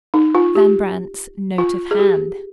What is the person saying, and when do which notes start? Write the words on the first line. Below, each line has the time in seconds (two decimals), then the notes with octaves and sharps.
Van Brandt's note of hand!
0.14 D#4
0.35 F4
0.55 G4
1.58 F4
1.91 G#4
1.99 G4